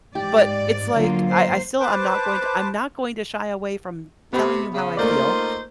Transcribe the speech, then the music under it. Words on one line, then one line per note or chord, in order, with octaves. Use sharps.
but it's like, I I still am not going to I'm not going to shy away from telling you how I feel,
G#2 G4 D5
D3 F#3 A#3 F4 A#4
C5
B4 C5 A5 D6
C3 B3
C#3
A3 A#3 D#4 F4 C5 D5